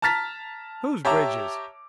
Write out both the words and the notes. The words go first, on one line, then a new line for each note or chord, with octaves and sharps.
Whose bridges?
A5 A#5 F6 A6 B6
G4 C#5 E5 A5 A#5 D6